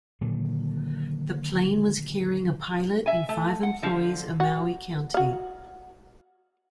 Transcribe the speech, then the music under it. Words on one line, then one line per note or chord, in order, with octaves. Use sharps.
The plane was carrying a pilot and five employees of Maui County.
A#2 D3 D#3 F#3
E5 G#5
A3
F#5
D3 F3
F#4
F#4 F5